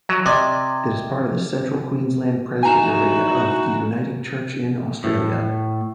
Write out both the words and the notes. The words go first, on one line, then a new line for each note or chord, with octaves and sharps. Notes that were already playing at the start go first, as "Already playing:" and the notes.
It is part of the Central Queensland Presbytery of the Uniting Church in Australia.
F#3
C3 D5 D#5 G#5
D#4 E4 F#4 G#5 A#5 E7
A2